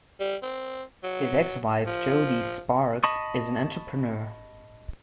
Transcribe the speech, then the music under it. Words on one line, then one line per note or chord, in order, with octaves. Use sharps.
His ex-wife, Jodi Sparks, is an entrepreneur.
G3
C4
F#3
F3
D#5 A5 B5 C#6 D#6